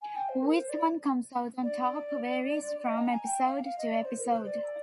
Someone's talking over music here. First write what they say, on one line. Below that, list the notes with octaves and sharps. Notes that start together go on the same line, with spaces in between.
Which one comes out on top varies from episode to episode.
G#5
G5
C5
A#4
C5
D5
D5
D#5
A#5
G#5
G5
F5
F5
D#5
D5
C5
A#4
C5
D5